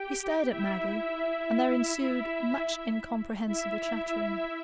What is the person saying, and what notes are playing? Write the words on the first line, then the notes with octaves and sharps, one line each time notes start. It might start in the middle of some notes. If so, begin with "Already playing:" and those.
He stared at Maggie, and there ensued much incomprehensible chattering.
Already playing: G4 G5
E4 E5
E4 E5